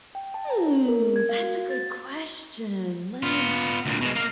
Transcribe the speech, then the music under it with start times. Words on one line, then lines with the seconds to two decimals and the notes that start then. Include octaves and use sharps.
Ooh! That's a good question, let me d
0.15 G5
0.34 A5
0.50 A#5
0.66 C#5
0.88 A#4
1.16 G#6
1.29 F5
1.43 F#4
1.70 A6
3.23 B3 F4
3.86 D2 A#2
4.01 B2 G#3
4.15 A#3 F5